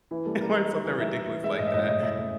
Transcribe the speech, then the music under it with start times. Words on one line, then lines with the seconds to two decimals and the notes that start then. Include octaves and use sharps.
or something ridiculous like that,
0.11 E3 E4
0.26 G3 A4
0.41 G3 A#4
0.55 A#3 D#5
0.71 D#4
0.85 E3
1.00 D#4 E5
1.14 E3 E5
1.29 E3
1.44 G#3 E5
1.59 A2 D#5
1.67 E5
1.74 A2 D#5
1.89 A2 D#5
2.03 A2 E5
2.18 A2